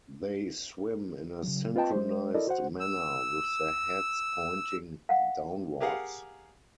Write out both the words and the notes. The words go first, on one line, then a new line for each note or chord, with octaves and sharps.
They swim in a synchronized manner with their heads pointing downwards.
C#3 F#3
C4 F4 B4 D#5 G5 A5
G#3 C5
E4 A4 A#4 D5 D#5
F#4 C5 F#5
E6
F5 F#5
G4 G#4 A#4 F5 F#5